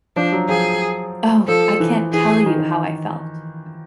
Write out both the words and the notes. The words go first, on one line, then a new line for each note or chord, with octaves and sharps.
Oh, I can’t tell you how I felt.
F3 D4
F#3
F3 G#4
F3 A4
E3
E3 G#4
D#3